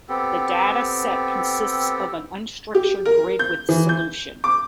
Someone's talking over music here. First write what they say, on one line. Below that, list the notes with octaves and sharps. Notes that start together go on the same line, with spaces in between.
The dataset consists of an unstructured grid with solution.
B3 C4 G4 A4
G4
A#4
G6
E3
G6
D6